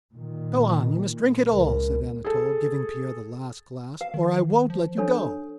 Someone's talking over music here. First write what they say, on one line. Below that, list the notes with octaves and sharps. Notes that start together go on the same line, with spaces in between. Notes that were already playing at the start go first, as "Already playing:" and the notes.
"Go on, you must drink it all," said Anatole, giving Pierre the last glass, "or I won't let you go!"
A#2 D#3
C#2 A#4
G#4 A4
B4 F5
D#3
F3
D4 A4 C#5